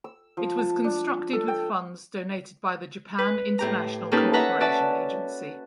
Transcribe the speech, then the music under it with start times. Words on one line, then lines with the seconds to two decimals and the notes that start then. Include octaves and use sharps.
It was constructed with funds donated by the Japan International Cooperation Agency.
0.04 E6
0.37 F3
0.59 A5
0.84 D4
1.33 A4
1.48 G5
3.18 B4
3.59 A2 G4 A#5
4.11 A#3 C#4 D#4 G4 A4 B4
4.33 A4 B4 E5 F#5 A#5 B5
4.60 C#4 F#4 D5 E5 A5